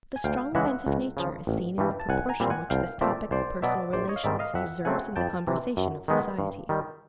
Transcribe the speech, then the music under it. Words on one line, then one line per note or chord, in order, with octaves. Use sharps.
The strong bent of nature is seen in the proportion which this topic of personal relations usurps in the conversation of society.
G#5
D2 F5 G5
C#3 E3 G#3 E5 F#5
C#2
C#3 F3
A1
G2 E3 G3
A5
C2 F#5 G#5
G#5 A#5
A#2 G3 C4
F#5 G#5
C2 F5 G5
A#2 F3 A3 C4 D5 E5
C2 C5 D5
B2 F#3 B3 D5 E5
A#1 C5 D5
C#5 D#5
F5
G#2 D#3 G3 C4 D5 E5
D#5 F5
F2 E5 F#5
C#3 F#3 A3 C4 F#5 G#5
F2 G5 A5
C3 E3
F#2
D#3 G#3 B3
G2
D#3 G3